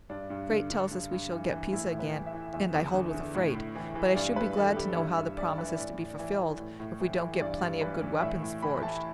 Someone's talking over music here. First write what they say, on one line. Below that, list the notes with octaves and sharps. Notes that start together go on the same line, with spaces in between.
The Frate tells us we shall get Pisa again, and I hold with the Frate; but I should be glad to know how the promise is to be fulfilled, if we don't get plenty of good weapons forged?
G2 D4
G2
D3
D3
G2
G2
E3
E3
A2 E4
A2
B4
E3
E5
E3
E2 E5
E2
D3
D3
A2
A2
E3
E3
G2 D5
G2 B4
E3 A4
E3 G4
G2 E4
G2 E5
E3 D5
E3 B4
A2 D5
A2
E3
E3
A2
A2
E3
E3
G2 D5
G2
E3 B4
E3
A2 E5
A2
E3 B5
E3 A5